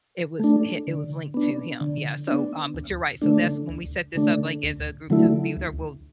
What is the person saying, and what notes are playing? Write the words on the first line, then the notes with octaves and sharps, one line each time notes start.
it was hi it was linked to him. Yeah, so, um, but you're right. So that's when we set this up like as a group to be with her. Well,
A3 D4
D3
B3 D4
D3
B3 D4
D2
D3 A3 D4
D2
D3 A3 D4
D2
D3 F#3 A3 E4
D2